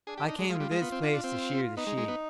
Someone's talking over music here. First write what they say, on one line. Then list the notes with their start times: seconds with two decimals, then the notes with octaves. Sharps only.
I came to this place to shear the sheep.
0.07 D4 G#4
0.18 G4
0.28 D#4
0.39 G#3
0.49 G#3 F4
0.60 G3
0.71 G#3
0.82 B3
0.92 C4
1.03 D4
1.13 D4
1.24 C4
1.77 B3 D#4
1.87 G#3
1.98 G#3
2.08 B3